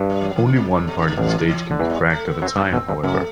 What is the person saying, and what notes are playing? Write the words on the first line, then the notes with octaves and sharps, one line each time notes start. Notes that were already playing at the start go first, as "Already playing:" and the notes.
Only one part of a stage can be cracked at a time, however.
Already playing: G2
G3
E3
F#3
E3
D3
C3
A2
B2
C3
D3
A1 A2 F#3
E3
D3
E3
D3
E2 E3
F#3
G3
A3
B3
F#2 F#3 C4
G2 G3 B3
C4
B1 B2
G2
F#2 A3